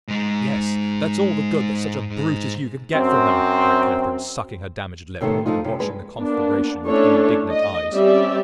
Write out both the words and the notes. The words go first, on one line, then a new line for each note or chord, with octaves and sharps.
'Yes that's all the good that such a brute as you can get from them!' cried Catherine, sucking her damaged lip, and watching the conflagration with indignant eyes.
G#2 G#3
F#2 C4
A2 C3 D#3 A3 B3
F3 A3 D#4 F4
F#2 C3
G2 G#3 B4
A#3 B3 D4
A3 C#4 D4 E4 A4 C#5
D#5
G3 C4 C#4 G4 D5 E5